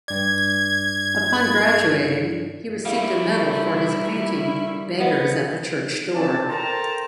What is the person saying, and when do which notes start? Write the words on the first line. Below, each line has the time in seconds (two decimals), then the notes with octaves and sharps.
Upon graduating, he received a medal for his painting "Beggars at the Church Door".
0.08 G2 D5 G#6
2.85 D#3 G3 E4 G4 F5
5.00 B3 C5 D#5 F#5
6.14 C#3 C4 D5 A5
6.48 A4 A#4 C5 G5 A5 A#5